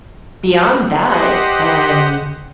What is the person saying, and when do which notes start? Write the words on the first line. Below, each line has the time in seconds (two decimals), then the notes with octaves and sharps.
beyond that, um,
1.04 G4 C5 D#5 F#5